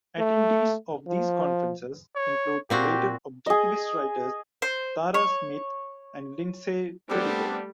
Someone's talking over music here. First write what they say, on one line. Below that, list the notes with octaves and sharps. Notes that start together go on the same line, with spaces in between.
Attendees of these conferences include later Objectivist writers Tara Smith and Lindsay Perigo.
A3
F3
C#5
A#2 C4 F#4 G4
G#4 D#5
C5
C#5
G3 A3 B3 C4 D4 G4 A4